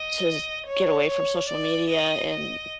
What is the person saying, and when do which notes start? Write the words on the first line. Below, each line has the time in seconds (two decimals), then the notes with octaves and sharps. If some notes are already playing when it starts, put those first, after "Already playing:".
to just get away from social media and
Already playing: D#5
0.67 C#5
1.07 C#5
1.48 D5
1.89 D#5
2.31 D#5